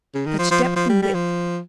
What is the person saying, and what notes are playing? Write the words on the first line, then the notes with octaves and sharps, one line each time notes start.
Such depth and width!
C#3
D#3
F3
F3
F3
F3
G3
G3
F3